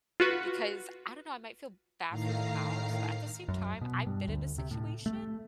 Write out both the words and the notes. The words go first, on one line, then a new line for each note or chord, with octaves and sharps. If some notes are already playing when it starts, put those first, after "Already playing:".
Because I don't know, I might feel bad for the mouse, but at the same time, I've been in a situation
F4 F#4 B4
A2 D#3 F5 A#5 C7
F#2
B2
G2
D2
C3
A2
A3